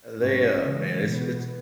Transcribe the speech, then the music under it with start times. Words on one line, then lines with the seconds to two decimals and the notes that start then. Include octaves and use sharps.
they, uh, man, it's it's
0.17 G#2 F#3 C#4
0.60 C#3 E3 G#3
1.02 B2 B3